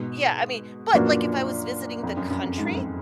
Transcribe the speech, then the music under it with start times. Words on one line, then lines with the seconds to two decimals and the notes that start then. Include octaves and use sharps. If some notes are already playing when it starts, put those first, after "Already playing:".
Yeah, I mean but, like, if I was visiting the country,
Already playing: G#2 B2
0.93 F#2 A#2 F3 A#3 D4 F#4 B4
2.03 F2
2.17 F#2
2.30 F#2
2.43 F2
2.58 G#2
2.66 F#2
2.74 F2